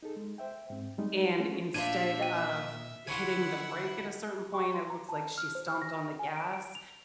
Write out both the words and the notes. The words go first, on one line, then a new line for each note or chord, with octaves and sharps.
and instead of hitting the brake at a certain point, it looks like she stomped on the gas,
D#4 G#4 A4
G#3
C5 E5 G5
G#2 C4
G3 G#3 D#4
G#3 A3 C#4 E4 F#4 G#4
A#2 F3 D4 E5 G#6 D#7
D#5 G5 D#7
D3 E4 F#5 G#5 C6 C#6
C#6
C6
A#5
A5
F6
C5
F6
A#6
G#5
D7
D7
F7